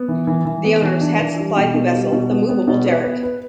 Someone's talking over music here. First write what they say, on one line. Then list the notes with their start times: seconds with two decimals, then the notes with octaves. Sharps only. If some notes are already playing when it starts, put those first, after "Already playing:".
The owners had supplied the vessel with a movable derrick.
Already playing: B3
0.08 E3
0.27 E3
0.45 E3
0.64 B3
0.82 E3
1.01 D4
1.20 E3
1.38 G3
1.56 B2
1.74 B2
1.94 G3
2.12 B2
2.30 B3
2.49 B3
2.67 B2
2.86 B3
3.03 B4
3.23 B4